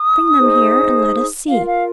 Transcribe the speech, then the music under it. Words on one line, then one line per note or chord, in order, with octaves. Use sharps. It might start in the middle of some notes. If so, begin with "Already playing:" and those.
Bring them here, and let us see.
Already playing: D#6
D#4 G#4 C5
F4 A#4 F5
F5